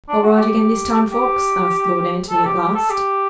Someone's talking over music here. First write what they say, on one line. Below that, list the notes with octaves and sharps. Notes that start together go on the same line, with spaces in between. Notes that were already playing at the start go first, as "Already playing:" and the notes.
"All right again this time, Ffoulkes?" asked Lord Antony at last.
D4
F#4
G4
G4
A4
G4
G4
A4
G4